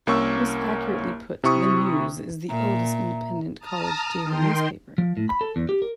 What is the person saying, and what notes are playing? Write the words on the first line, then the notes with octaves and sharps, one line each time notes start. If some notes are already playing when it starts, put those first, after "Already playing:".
Most accurately put, the "News" is the oldest independent college daily newspaper.
C2 A#3 C#4 C#6 E6
C3 E4 C#6 D#6
A#2 E5 A#5
A5 A#5 D#6 F6
D#3 G5 C6
F3
A2
B5
A4
E2
G4
A#4